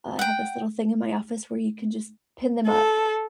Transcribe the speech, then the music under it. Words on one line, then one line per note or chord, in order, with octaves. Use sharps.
I have this little thing in my office where you can just pin them up.
F#5 G5
A4